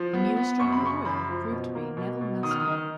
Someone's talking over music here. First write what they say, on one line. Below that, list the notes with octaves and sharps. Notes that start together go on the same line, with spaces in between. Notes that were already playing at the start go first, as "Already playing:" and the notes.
The new Astronomer Royal proved to be Nevil Maskelyne.
Already playing: F3
B3
B3
F#2 C#6
B5
C#3 C#6
F#2 B5
F3
B2
A#3
B2
B2
D#3 D#6
F6
D#6
D#3